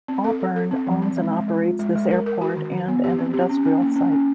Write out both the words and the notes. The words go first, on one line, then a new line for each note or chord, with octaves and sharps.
Auburn owns and operates this airport and an industrial site.
C4
A4
A4
A4
C4
F3
C4
G#3
G#3
G#3
F4
G#3
G#3
A#4
A#4
F#4
D#3
D#3
B3
G4
C4
G4
C#4
C#4
A#3
C#4
C#4